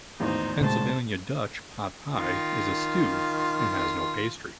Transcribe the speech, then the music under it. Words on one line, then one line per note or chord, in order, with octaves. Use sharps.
Pennsylvania Dutch pot pie is a stew and has no pastry.
G#1 E2 A2 D#4 C5
A#2 C#3 G#3 C5 A5
D#3 F4